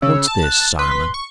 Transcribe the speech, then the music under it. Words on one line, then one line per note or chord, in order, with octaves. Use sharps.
"What's this, Simon?"
C#3 E6
A5
F#6
B4 C6
C#6